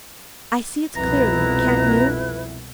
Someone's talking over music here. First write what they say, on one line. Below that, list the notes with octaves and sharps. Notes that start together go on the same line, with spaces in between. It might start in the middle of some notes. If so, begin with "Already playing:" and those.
I see it clearly, can't you?
C2 F2 B2 E4 B4 A#5